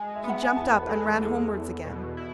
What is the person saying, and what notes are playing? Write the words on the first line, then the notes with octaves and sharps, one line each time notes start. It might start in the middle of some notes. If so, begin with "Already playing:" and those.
He jumped up and ran homewards again.
Already playing: G#3 G#5
E5
B3
F#5
G#5
E2 A5
B4
B4
G#3 A4
A4
E2
E2
B2
E4